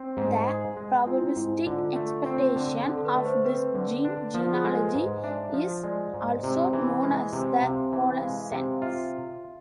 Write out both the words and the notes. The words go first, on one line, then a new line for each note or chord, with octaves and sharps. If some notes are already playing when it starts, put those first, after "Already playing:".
The probabilistic expectation of this gene genealogy is also known as the coalescent.
Already playing: C4
G#2
G#4
G#3
C4 F4
E4
G#2 E4
D3 F4
A3
C4
D3
D3 A4
B4
A3
C5
C4 B4
D3
D4
F3
F4
G#4
G#3 A4
B4
G#2
D4 E5
F3
G#3 D5
G#2
C3
E3
G#3 D5
C3
F5
C3 E5
E3
G#3 F5
F5
C3
F4 E5